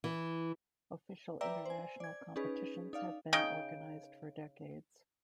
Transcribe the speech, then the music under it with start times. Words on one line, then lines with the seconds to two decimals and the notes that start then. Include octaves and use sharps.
Official international competitions have been organised for decades.
0.04 E3
1.41 B4 D5 E5 G5 A#5 E6
1.65 C5 G#5
2.00 D5 G#6
2.36 C#4 D#4 G#4 B4
2.93 D#4 D5 F5
3.33 C#3 D#4 G5